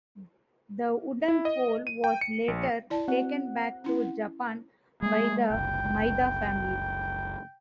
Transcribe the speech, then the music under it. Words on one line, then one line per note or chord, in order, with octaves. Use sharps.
The wooden pole was later taken back to Japan by the Maida family.
E4
D#5
D#7
G5
C#7
A#1
E4 D5 A5
C4 F#4 F#5
C#4 E4
G#3 A#3 G#4
F#1 C2 G5